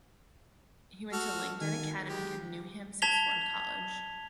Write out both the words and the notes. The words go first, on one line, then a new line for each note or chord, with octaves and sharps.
He went to Langdon Academy and Newham Sixth Form College.
F#4 A4 F6
D#3 G#5
G#3 G4
A5 G#6 B6 F7 G7